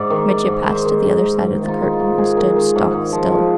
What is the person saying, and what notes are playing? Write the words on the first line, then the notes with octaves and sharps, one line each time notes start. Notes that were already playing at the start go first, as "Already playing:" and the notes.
Mitya passed to the other side of the curtain and stood stock still.
Already playing: G#2 D5
D#3
D#3 D5
G#2
G#2 C5
D#3
D#3 A#4
G#2
G#2
D#3 F4
D#4
D#3
F4
G#2
G#2 G#4
D#3
D#3
G#2
G#2
F3
F3